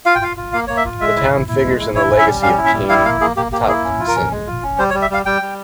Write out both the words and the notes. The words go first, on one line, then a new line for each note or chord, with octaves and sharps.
The town figures in the legacy of King Taksin.
F4 F5
G5
F4 F5
F4
A#3 F5
A#3 C#5
E5
F4
G#3 E5
E4
E4
E4
G#3
E4
E4 C#5
C#4
E5
G3
C#4 F5
E4
E5
G3
E4 F5
A#3 F5
A#3 G#4
A#3 G4
A#3 G4
E4 G#4
C#4
F4
A#4
C#4
G#3
F4
C#4
G3 C5
C#5
G3
E5
G3 F5
G3 G5
G3